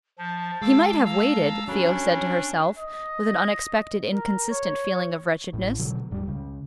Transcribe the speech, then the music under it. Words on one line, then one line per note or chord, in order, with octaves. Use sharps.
"He might have waited," Theo said to herself, with an unexpected, inconsistent feeling of wretchedness.
F3 A5
G#3 F5 D6 E6
F5 A#5 E6
F#3 C#4 D4 A4 B5
D#5
A#4
C#5
A1 A2
B2 D3 F#3
D#1 G#2 G3
C#2 C#3